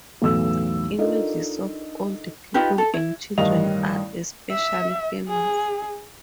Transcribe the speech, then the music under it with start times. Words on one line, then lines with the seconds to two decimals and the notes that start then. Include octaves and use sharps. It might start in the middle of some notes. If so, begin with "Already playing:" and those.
Images of old people and children are especially famous.
0.22 B1 E2 A2 A4 E6
0.98 D4 D#4 F4 A4 A#4 D#5
2.54 D#4 F4 G4 B4
2.78 A4
2.94 E4
3.38 A1 G2 D#3 D#5 F5 F7
4.51 E5
5.29 G#4